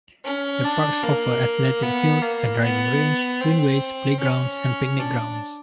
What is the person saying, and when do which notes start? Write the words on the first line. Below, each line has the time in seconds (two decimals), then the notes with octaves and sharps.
The parks offer athletic fields, a driving range, greenways, playgrounds and picnic grounds.
0.25 C#4
0.64 D4
1.03 A#3
1.82 B3
2.22 A#3
2.62 B3
3.41 C4
4.20 C#4
4.99 D4